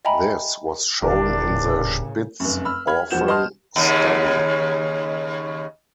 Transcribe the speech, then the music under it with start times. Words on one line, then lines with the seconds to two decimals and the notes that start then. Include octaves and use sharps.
This was shown in the Spitz orphan study.
0.05 D#5 E5 G5 G#5 A#5 B5
1.02 D#1 D3 D4 E4 G4 A#4 B4
1.43 A2 C#3
2.40 F1 F#2
2.65 B5 E6 F6
2.87 B5 F6 G#6
3.11 E1 F3 F#4 G6 E7
3.27 F#4 B4 D#5 A5 C6 F6
3.76 D#2 C#3